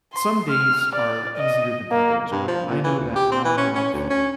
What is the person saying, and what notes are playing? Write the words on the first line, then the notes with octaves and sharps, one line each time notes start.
some days are easier than others where I know that I have
C6
F6
D5
D#5
A#3
G2
F3
A#2
E3
D2
G4
C4
E3
C#4
C#4
D2
C#4